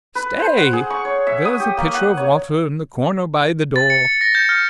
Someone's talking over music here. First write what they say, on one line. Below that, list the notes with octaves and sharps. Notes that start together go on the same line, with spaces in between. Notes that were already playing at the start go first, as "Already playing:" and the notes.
'Stay. There's a pitcher of water in the corner by the door.
B4
C5
F#5
G#4
C#6
C#5
E5
D#6
G4
A#3
F#5
C#5
A6
C#7
C#7
A#6
G6
F6